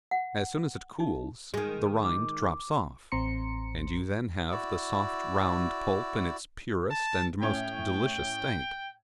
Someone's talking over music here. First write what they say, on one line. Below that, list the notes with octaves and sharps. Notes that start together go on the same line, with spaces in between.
As soon as it cools the rind drops off, and you then have the soft round pulp in its purest and most delicious state.
F#5
D#4
D#3 G#3
D6
A1 C4 A#5 C6 C#7
E4 F#4 D5 E6
A5
A2 C#4 G5 G#6